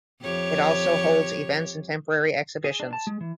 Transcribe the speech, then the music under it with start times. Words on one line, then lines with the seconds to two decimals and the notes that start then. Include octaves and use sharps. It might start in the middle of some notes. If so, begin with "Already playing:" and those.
It also holds events and temporary exhibitions.
0.22 F2 G4 C#5
2.64 G#4
2.80 D4
2.93 A5
3.07 G#3
3.21 E3